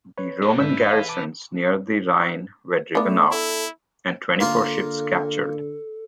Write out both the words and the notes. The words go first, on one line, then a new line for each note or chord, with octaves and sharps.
The Roman garrisons near the Rhine were driven out, and twenty-four ships captured.
B4 C#5
A#3 D4
G#2 D4 B4 E5 G6
F5
A5 D6
A3 B3 D4
E4 A4
D3 A#3 F4 A4